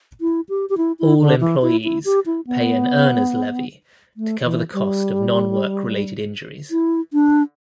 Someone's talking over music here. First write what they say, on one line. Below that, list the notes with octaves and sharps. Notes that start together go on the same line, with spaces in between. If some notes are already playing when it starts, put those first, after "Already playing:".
All employees pay an earner's levy to cover the cost of non-work related injuries.
E4
G4
G4
E4
E4
D3
E3
E4
E4
G4
E4
B3
A3
E3
G3
E4
D4